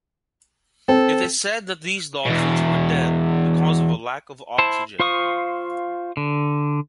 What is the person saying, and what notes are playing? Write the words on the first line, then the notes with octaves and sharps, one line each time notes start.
It is said that these Dolphins were dead because of a lack of oxygen.
C4 A4
E2 B2
E4 C5 A5
F4 C5 F5 C#6 D#6
D3